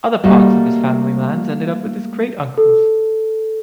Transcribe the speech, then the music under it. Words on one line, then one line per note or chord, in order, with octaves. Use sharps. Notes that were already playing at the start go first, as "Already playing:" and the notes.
Other parts of the family lands ended up with his great-uncles.
G3 A3 A#3 F#4 D#5
A4